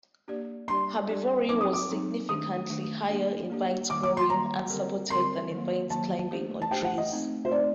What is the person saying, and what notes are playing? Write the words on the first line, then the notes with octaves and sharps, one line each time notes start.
Herbivory was significantly higher in vines growing unsupported than in vines climbing on trees.
A#3 D4 G4 D5
G3 D4 G4 D5 C6
G3 D4 G4 D5
F#3 C4 D#4 D6
D#6
D6
F#3 C4 D#4
D#3 A3 D4 D#6
D#3 A3 D4
A#3 D4 G4
A#3 D4 G4
D#3 G3 A#3 D6
D6
C6
D#3 G3 A#3 A#5
D3 G3 C4 G4 A#4
D3 G3 C4 G4 A#4 C6
D#3 F#3 A#3
D#3 F#3 A#3 A5
A3 D4 G4 C5
A5
A3 D4 G4 C5 G5
F#5
D#5
A3 C4 D#4
C5
A3 C4 D#4 D5